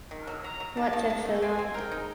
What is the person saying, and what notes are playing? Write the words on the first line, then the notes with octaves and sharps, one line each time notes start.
What took so long?
D#3
F#3
F#3 A#5
F#3
D#3 A5
D#3
D#3
A3
C4 G#5
C4
A#4 G5
D#4